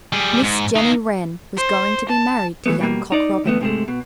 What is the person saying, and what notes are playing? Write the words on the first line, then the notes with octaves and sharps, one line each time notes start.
Miss Jenny Wren was going to be married to young Cock Robin.
G3 G#4
G#2
D#4 F5
C5
A5
A2 E3 F3 A3 B3
B2 G3 A#3
D#4 D5
D2 A2 A3 B3
G#2 C3 F#3 G#3 A3
B2